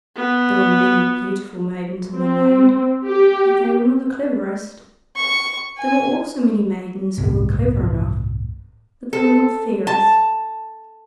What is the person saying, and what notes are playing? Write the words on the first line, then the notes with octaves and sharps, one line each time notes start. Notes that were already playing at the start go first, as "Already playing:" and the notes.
There were many beautiful maidens in the land, but they were not the cleverest. There were also many maidens who were clever enough, but they were not the fairest.
B3
C4
G4
C#6
G#5
G1 C2 A2
A4
A5